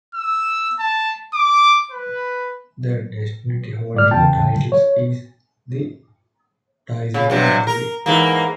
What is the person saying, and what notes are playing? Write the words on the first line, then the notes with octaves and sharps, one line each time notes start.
The dynasty holding the title is the Tuisawau family.
E6
A5
D6
B4
G#2 D5 F6
E2 C#3 G5 A5
C#5
C#3
G2 C3 F#3
A#4
G#2 E3 A#3